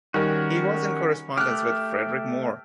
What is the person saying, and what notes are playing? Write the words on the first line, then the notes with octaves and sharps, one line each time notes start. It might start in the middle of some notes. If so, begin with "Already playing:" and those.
He was in correspondence with Frederic Moore.
D#3 G3 C#4 F#4 A#4
A3 G4 F6 F#6